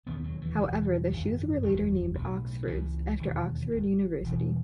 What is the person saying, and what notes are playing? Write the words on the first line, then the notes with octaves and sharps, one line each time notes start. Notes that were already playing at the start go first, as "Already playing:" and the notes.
However, the shoes were later named Oxfords after Oxford University.
E1 D#2 C#3 B3
F#3
E3
E1 E2 C#3
G#1 F#2 C#3
F#1 E2 C#3 F#3
B1 A2
C#2 C#3 E3
E1 D#2 C#3
G#1 G#2
E1 E2 B2